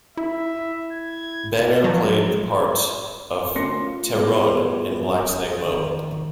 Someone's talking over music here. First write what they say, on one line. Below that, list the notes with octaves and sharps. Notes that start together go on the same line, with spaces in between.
Banner played the part of Tehronne in "Black Snake Moan".
E4 E5
G#6
F3 F#3
D2 C#4 A#4 C6 A#6 C#7
F4
G3 B3 F4 G#4
F#2
D#6
D#3